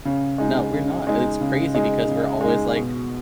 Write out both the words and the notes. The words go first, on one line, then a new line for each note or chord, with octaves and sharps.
No, we're not, and it's crazy because we're always like,
C#3
G#3 D#4
C#3
G#3 D#4
C#3
G#3 D#4
C#3
G#3 D#4
B2